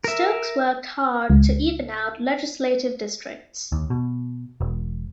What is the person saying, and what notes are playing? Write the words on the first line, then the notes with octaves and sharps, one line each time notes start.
Stokes worked hard to even out legislative districts.
A#4 E5
C#2
D#2
B2
E1